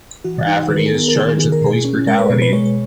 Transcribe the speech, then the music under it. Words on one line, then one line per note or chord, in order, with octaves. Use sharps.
Rafferty is charged with police brutality.
E3 F#4
D#4
D#3 B4
A#4
G#4
B3 A#4
A#4
D#3 G#4
B3 G#4
A#4
B2 G#4
C#4
G#3 A#4
B4
B2
B4
G#3 C#5